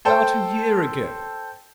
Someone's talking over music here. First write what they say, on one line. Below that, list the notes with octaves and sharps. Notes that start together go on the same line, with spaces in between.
"About a year ago."
A4 C5 G5